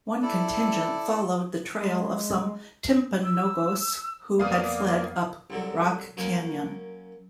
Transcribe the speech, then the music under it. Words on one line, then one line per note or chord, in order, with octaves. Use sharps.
One contingent followed the trail of some Timpanogos who had fled up Rock Canyon.
E4 A4 D5
G#3
E6
F2 A#3 B3 D5 F5 D#6
C2 D3 F#3
F#2 A#3 C#4